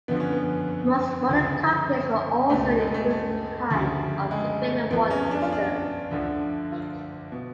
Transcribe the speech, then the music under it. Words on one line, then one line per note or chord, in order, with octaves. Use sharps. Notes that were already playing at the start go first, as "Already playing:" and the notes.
Most modern cockpits will also include some kind of integrated warning system.
F2 D3 F3 B3
C#4
B3
D2 C#3 F3
C#2 B2 A3
G#3
A3
A3
D2 C#3 F3
G#3
A3
F2 F3 B3
C#4
D4
F4
D4
D2 D3 F3
F4
B2